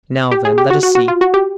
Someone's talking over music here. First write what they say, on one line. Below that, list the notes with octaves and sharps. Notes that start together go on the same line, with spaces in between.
Now, then, let us see.
G4
G#4
G4
F#4
F#4
F#4
F4
F#4
G4